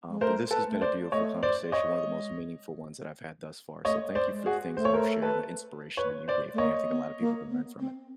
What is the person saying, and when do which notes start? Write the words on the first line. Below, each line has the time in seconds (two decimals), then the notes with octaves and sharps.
um, but this has been a beautiful conversation, one of the most meaningful ones that I've had thus far, so, thank you for the things that you've shared and the inspiration that you gave me, I think a lotta people can learn from it.
0.09 G#3
0.21 A3 A#4 C5
0.51 A4 B4
0.67 A3
0.81 C5 D5
1.12 A3 C#5 D#5
1.43 C5 D5
1.72 C#5 D#5
2.03 G#3
3.85 A3 C#5 D#5
4.15 C5 D5
4.31 G#3
4.46 F#4 G#4
4.77 A3 C5
4.85 C#5
4.94 A#4 C5
5.22 A4 B4
5.97 B4 C#5
6.28 C5 D5
6.54 A3
6.58 A#3 C#5 D#5
6.89 B3
7.19 A#3
7.50 B3
7.80 C4